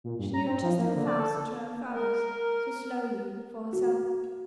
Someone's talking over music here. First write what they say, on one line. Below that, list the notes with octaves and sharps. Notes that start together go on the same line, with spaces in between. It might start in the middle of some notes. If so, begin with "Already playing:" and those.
She knew just how fast to turn for others; so slowly for herself.
A#2
G2
A#5
C4
F3
A#3
D3
D5
A4
A#4
F#4